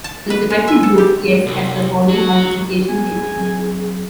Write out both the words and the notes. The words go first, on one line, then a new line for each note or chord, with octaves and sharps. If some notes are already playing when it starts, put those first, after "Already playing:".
The symmetric group S has the following multiplication table.
A5
B4
G#3
E5
A4
G4
C2
F#3
B3 G#4 G#5
G3
F#3 C4